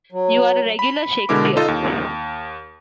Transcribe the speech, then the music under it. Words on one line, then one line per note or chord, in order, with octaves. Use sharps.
You're a regular Shakespeare!
F#3
B5
B2 D3 G#3 E4 A#4 D6
D#4 F4 A4 D#5
D#2